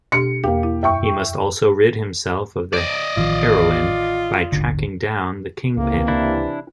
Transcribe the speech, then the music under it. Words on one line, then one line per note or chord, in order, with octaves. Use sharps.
He must also rid himself of the heroin by tracking down the kingpin.
B2 D4 G4 C#7
E2 A#3 G4 G5
E4
F#2 E5 G5 C#6
D5 D#5
A1 D#3 F3 F4
D#1 G#1 D3
C#2 C3 E3 A#3
D4 E4